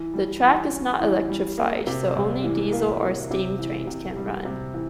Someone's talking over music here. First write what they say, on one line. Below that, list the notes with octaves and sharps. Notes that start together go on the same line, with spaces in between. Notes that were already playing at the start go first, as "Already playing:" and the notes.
The track is not electrified, so only diesel or steam trains can run.
Already playing: E3
G3
E3
C#4
E3
G3
A#3
C3
C2
E3
A#3
C3
C3
E3
C3
G3
C3
E3